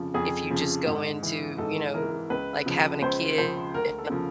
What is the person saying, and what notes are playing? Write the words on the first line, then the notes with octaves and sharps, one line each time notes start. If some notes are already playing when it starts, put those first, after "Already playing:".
if you just go into, you know, like having a kid and,
Already playing: F2 C#3 F3
F2 G#4
C#3 F3
G#2
E3
G#2 A4
E3 A#4
C#2 B4
C#3 F3
C#2 C5
C#3 F3 C5
D2 A#4
A4
C#3 F3